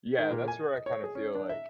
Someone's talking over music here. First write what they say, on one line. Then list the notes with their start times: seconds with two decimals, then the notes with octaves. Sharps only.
yeah, that's where I kinda feel like,
0.19 D#3
0.31 A#2
0.48 G#5
0.75 D#5
0.86 C#5
1.04 G#4
1.15 C#4
1.35 D4
1.49 E5